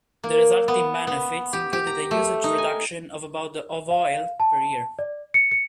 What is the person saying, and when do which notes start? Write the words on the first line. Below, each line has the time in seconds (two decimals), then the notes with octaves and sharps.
The resulting benefits included a usage reduction of about of oil per year.
0.24 A#3
0.68 B3
1.07 B3
1.53 G4
1.73 G4
1.87 A#5
2.11 A3
2.44 D#4
2.58 G#5
3.91 F5
4.40 A5
4.99 D5
5.34 C#7
5.51 C#7